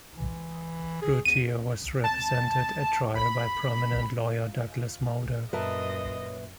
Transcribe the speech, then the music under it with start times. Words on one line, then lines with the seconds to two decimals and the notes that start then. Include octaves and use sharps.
Routier was represented at trial by prominent lawyer Douglas Mulder.
0.17 E3
1.02 G#4
1.25 E2 D#7
2.04 A5
3.15 B5
5.53 F#2 A#2 A#4 B4 D#5 E5 A5